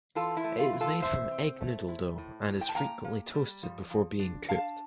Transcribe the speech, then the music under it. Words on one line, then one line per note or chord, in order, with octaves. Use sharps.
It is made from egg noodle dough and is frequently toasted before being cooked.
E3 F4 A4
E4
A3
F4
E3
F4 A4
C3 C5 E5
C4
A3
E4
A2
A2
G5
A5
A#3 G5 A#5
A#3
G3
F3
F3
D4
D4 F5 A5